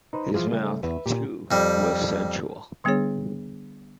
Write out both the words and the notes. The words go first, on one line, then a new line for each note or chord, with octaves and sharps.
His mouth, too, was sensual.
D#4 B4 C5
E3 F3 F4 G#4 C5
C#3 G3 A3
E2 B4 E5
A#2 G4
F2 G3
D3 G3 B3 D4 G#4 C#5